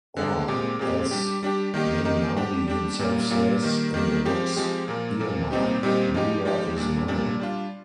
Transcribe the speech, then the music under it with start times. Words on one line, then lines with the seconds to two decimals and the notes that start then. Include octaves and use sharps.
Or, as Mainardi himself says in the book's earmark, Lula is mine.
0.17 D3 G#3 D4
0.48 A#2 G#3 C4 G4
0.79 A#2 G#3 C4 G4
1.11 G3 D4 G4
1.43 G3 D4 G4
1.74 D#3 A#3 D#4 G4
2.05 D#3 A#3 D#4 G4
2.36 G3 D4 G4
2.68 G3 D4 G4
2.99 A#2 G3 A#3 F4
3.30 A#2 G3 A#3 F4
3.62 D#3 G3 A#3
3.94 D#3 G3 A#3
4.25 F3 G#3 C4 G4
4.56 F3 G#3 C4 G4
4.88 A#2 F3 A#3
5.19 A#2 F3 A#3
5.51 A#2 G3 C4 D#4 G4
5.83 A#2 G3 C4 D#4 G4
6.14 F3 G#3 D#4 G4
6.45 F3 G#3 D#4 G4
6.77 A#2 G3 D4
7.08 A#2 G3 D4
7.40 G3 D4 F4